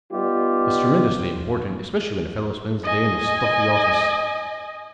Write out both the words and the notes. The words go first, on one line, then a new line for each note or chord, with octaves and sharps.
That's tremendously important, especially when a fellow spends the day in a stuffy office.
G3 B3 D#4 F4 G4
D#5 G#5